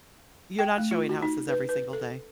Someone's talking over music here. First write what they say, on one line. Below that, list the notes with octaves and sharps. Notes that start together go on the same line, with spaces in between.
You're not showing houses every single day.
G5
A3
F4
F#4
D#4
B4
B4
A4